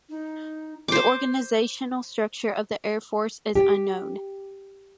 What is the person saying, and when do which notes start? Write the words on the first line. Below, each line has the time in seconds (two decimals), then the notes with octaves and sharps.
The organizational structure of the Air Force is unknown.
0.09 D#4
0.88 C5 D6
3.55 G4